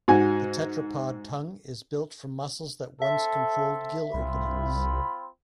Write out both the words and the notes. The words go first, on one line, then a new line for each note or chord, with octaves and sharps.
The tetrapod tongue is built from muscles that once controlled gill openings.
G#2 F#4 G#5
C4 A4 E5
C2 C4 F4 B5